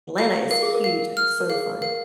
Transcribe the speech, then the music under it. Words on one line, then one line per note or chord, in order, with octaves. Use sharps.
Atlanta is huge, that's so fun,
F4 F5
A#4 F5
G#4
A#4
F5
F6
A#4
G#4 F5
A#4 F5